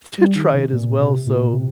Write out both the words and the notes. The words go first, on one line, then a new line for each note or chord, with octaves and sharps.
to try it as well so,
G3
D#3
C3
A#2
C3
A#2
C3